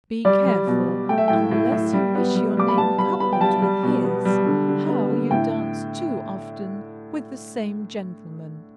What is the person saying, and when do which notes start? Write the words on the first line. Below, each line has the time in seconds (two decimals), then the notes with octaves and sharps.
Be careful, unless you wish your name coupled with his, how you dance too often with the same gentleman.
0.25 G3 D5
0.46 G3
0.67 B2
0.88 B2
1.09 A3 G5
1.18 E5
1.28 A2 G5
1.51 A2
1.72 A2
1.93 G3
2.15 B3
2.35 G3
2.57 G3 D6
2.68 B5
2.78 B3 A5
2.98 G3 B5
3.20 B3 B5
3.33 G5
3.40 G3 A5
3.62 G3
3.83 B2
4.04 B3
4.25 G3
4.46 D3
4.68 D3
4.89 B3
5.10 D3
5.31 A2 G5